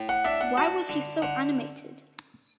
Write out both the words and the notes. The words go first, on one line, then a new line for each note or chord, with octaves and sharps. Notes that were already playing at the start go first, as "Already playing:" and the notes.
Why was he so animated?
Already playing: A2
F#5
D4 E5
F#5
F#4 A5
D3
D3 F#5